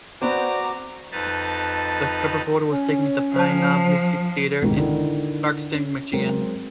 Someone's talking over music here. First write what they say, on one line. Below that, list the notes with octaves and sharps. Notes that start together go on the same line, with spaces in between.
The cover photo was taken at the Pine Knob Music Theater in Clarkston, Michigan.
B3 C4 F#4 C5 D5 A#5 D6
F2 D#4 B4 A5 A6
C#4
F3 C5 A5
B1 F2 G#2 D#3 G#3
D3 D#3 E4
C#4
F#3 G#3 C4 A#4